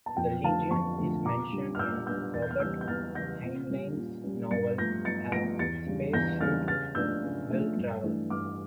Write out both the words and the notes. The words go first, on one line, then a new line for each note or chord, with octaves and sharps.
The legion is mentioned in Robert Heinlein's novel Have Space Suit - Will Travel.
A5
F2 G5
D3 F3 A3 F5 A5
F2 A5 C#6
D3 F3 A3
A#2 A#5 D6
G3 D4
F6
A#2 E6 G6
G3 D4 E6 G6
E2 A6
G6
F6
C#3 E3 G3 E6 G6
G6
E2 F6 A6
C#3 E3 G3 G6 A#6
A#2
G3 C#4
A#2
G3 C#4
G2 A6 C#7
F3 A3 G6 A#6
G2 A6 C#7
F3 A3 A#6 D7
E2 A6 C#7
C#3 G3 D4
E2 G6 A#6
C#3 G3 D4 F6 A6
C#3 F6 A6
F3 A3 D4 E6 G6
C#3
F3 A3 D4
G2
E3 A3 D4
G2 D6 F6